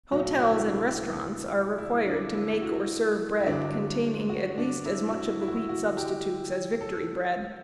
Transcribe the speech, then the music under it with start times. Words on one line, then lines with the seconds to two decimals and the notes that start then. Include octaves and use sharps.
Hotels and restaurants are required to make or serve bread containing at least as much of the wheat substitutes as Victory bread.
0.12 B1 A2 F#3 F#4
0.39 E4
0.67 D4
1.78 E4
2.06 D4
2.35 E4
2.53 E4
2.62 F#4
3.40 E4
3.46 G1 G2 F#3 D4
4.29 F#4
4.58 D4
4.86 E4
5.09 F#4
5.14 E4
5.41 E4
5.48 F#4
5.55 E4
5.69 F#4
5.97 G4
6.81 A4